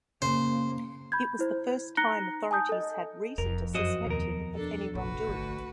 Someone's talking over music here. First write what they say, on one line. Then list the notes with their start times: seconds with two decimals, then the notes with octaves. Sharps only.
It was the first time authorities had reason to suspect him of any wrongdoing.
0.22 C#3 A#3 C5
1.12 B5 G6 G#6
1.39 E4 C5
1.97 D#4 A#5 F#6 A#6 C#7 G7
2.51 G#5 A5 D#6 G6
2.69 A4 D#5
3.38 F1 F2 A#4
3.74 F#2 F#4 C5 D#5
4.06 D#2 B2 A#4
4.55 D4 A4
4.95 F1 A#1 F#4 B4
5.27 G1 D2